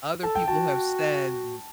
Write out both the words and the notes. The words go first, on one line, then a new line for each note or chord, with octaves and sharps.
Other people have said, "Th
A4 A5
G5
F#4 A5